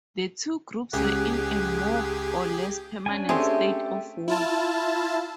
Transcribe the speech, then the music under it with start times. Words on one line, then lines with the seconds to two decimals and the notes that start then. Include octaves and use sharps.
The two groups were in a more or less permanent state of war.
0.93 C#2 G4 G#4 F#5
3.06 C#4 D4 G#5
3.29 A3 C4 G4 G#4 C6
4.28 E4 F4 A5